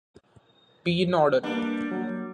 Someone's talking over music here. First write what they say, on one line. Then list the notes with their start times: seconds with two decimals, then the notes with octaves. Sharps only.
Be in order.
1.43 G3 A#3 B3 D4
1.91 F#3 A#3